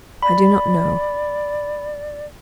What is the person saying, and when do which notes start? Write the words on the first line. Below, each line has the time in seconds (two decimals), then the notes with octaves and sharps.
I do not know.
0.23 D5 B5